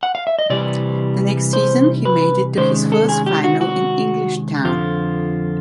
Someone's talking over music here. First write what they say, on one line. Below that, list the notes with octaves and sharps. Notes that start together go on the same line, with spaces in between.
The next season, he made it to his first final in Englishtown.
F#5
F5
E5
D#5
C3 E3 G3 D5
C5
B4
C3 D#3 G#3 C#4 C5
A4
G#4
G4
F#4
F#4
F2 D3 F3 F4